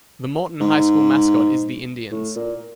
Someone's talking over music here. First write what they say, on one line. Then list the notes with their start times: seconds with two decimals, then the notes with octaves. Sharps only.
The Morton High School mascot is the Indians.
0.61 G#2
2.11 A2
2.36 A#2